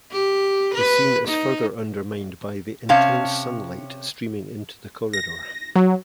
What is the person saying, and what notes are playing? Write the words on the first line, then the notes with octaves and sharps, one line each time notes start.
The scene is further undermined by the intense sunlight streaming into the corridor.
G4
B4
D#4
C3 C#4 C#5 F5 A5
A#6
F#3